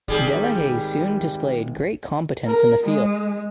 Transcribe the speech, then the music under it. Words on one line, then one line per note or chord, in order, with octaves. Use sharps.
Delehaye soon displayed great competence in the field.
G#1 G3 G#4
A#4
G#3